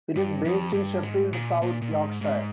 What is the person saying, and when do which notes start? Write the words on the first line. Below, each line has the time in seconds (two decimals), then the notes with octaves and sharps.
It is based in Sheffield, South Yorkshire.
0.16 G2
0.45 F2
0.74 G2
1.03 G#2
1.33 A#2
1.62 A#2
1.82 A#2
1.91 G#2
2.21 G#2